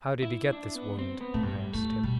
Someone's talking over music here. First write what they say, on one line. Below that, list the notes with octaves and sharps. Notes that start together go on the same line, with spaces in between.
"How did he get this wound?" I asked him.
E4
D4
B3
C4
B3
A2 A3
G2 G3
A2 A3
B2 G3